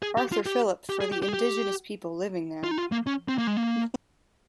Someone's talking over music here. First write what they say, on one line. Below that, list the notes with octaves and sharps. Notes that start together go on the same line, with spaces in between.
Arthur Phillip for the indigenous people living there.
G#4
G4
F4
G4
G4
G#4
G4
G4
G#4
G4
F4
D#4
F4
A#3
C#4
C4
A#3
G#3
A#3